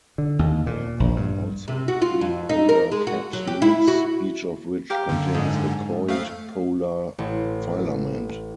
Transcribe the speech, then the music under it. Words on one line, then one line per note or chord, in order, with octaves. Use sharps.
There are also three polar capsules, each of which contains a coiled polar filament.
D3
D#2
A#2
A#1
G2
C3
F#4
F4
F2
D#4
A#4
G#3
F#4
F#3
G4
E4
F#4
G4 A#4 F5
F#2 D3
G#2 G#3 D4
F2 A3 F5
A1